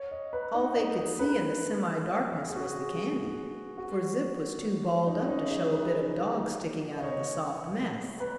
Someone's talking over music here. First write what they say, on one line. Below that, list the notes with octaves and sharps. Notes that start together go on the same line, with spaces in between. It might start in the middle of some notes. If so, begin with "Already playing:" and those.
All they could see in the semi-darkness was the candy, for Zip was too balled up to show a bit of dog sticking out of the soft mess.
Already playing: C#5
D#5
B4
D#4
D#4
G#4
B4
G#4
F#4
G#4
F#4
D#4
C#4
D#4
G#4
B4
D#5
C#5
B4